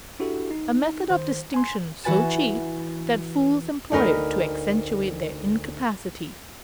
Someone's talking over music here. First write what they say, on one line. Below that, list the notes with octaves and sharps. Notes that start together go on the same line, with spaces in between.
A method of distinction so cheap that fools employ it to accentuate their incapacity.
D4 E4 F#4 G4 A4
D#4
D#3 C5
G#5 C6
E3 F#4 B4 G#5 A6 E7
D2 D#4 A#4 B4